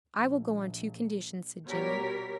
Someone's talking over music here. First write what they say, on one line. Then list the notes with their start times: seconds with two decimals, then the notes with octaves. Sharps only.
"I will go on two conditions," said Jimmy.
0.17 A#1
1.67 B2 G3 A#4 C#5 B6